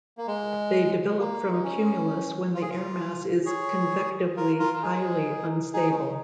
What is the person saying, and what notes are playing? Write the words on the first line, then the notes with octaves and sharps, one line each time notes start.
They develop from cumulus when the airmass is convectively highly unstable.
A#3
G#3
G#3
A#3
D#4
C#4
F4
G#4
F4
G#4 C#5
F4 A#4
F4 A#4
F4
D#4 G#4
D#4 G#4
C#4
D#4